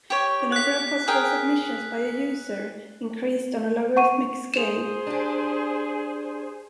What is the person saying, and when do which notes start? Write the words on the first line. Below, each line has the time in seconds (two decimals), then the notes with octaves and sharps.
The number of possible submissions by a user increased on a logarithmic scale.
0.10 G4 C#5
0.52 F#6 B6
1.08 G#4 A#4 G5
3.97 F#5 C#6 D#7
4.54 G#4 C5 E7 F7
5.07 D4 G4